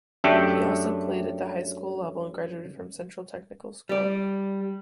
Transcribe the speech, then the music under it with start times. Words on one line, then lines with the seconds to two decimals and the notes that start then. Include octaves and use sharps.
He also played at the high school level and graduated from Central Technical School.
0.24 F#2 A3 D4 G4 E5 G5
3.89 G3 D5